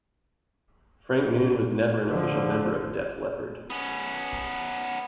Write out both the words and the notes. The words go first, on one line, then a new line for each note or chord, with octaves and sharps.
Frank Noon was never an official member of Def Leppard.
D3 F3
B3 C#4